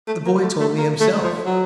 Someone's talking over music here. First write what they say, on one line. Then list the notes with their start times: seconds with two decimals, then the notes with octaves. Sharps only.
The boy told me himself.
0.07 A3
0.25 A#3
0.43 A3
0.60 A3
0.78 A#3
1.00 A3
1.24 F3
1.46 F#3